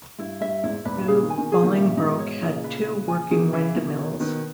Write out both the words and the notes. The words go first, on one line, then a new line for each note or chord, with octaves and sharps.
New Bolingbroke had two working windmills.
G2 E4
G2 E5
E2 G#2 E4
E2 G#2 B4
G2 A#2
A#2 C#3 G#4
B2 D#3
G#5
B2 D#3
G#4
B2 D#3
A#2 C#3 E5
G2 A#2
G#2 B2 D#4
C#5
A#2 C#3 D#4
B4
B4
G#5
B2 D#3 G#4
C#3 E3 E5
B2 D#3 E4
C#5
B2 D#3 B4